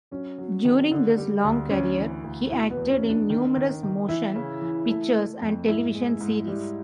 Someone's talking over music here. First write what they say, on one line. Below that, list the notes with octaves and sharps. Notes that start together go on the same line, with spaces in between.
During his long career, he acted in numerous motion pictures and television series.
F#3 C#4
F#3
D#3
D3
G3
D2
D2 C#4
E3
D2
B2 E4
B3
E2
C#4
E2
D4
D#3
D#3
D#3
E3 E4
C#3
E3
A3
A3
F2
G#2 E4
G#3
G#2
G3